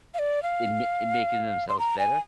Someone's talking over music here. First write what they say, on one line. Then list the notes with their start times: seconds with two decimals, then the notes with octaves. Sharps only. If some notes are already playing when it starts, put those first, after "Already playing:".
in ma in making themselves better?
0.14 F5
0.19 D5
0.43 F5
1.69 C6
1.79 A#5
1.99 G#5